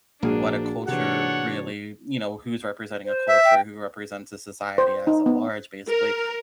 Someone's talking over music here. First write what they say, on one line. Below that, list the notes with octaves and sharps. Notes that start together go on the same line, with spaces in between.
what a culture really you know, who's representing a culture, who represents a society as a large basically,
A#1 A#3 D4 F#4 G#4
C3 E3 D4 C#5 F#5
C5
E5
G5
C5
D#4
B3
A#4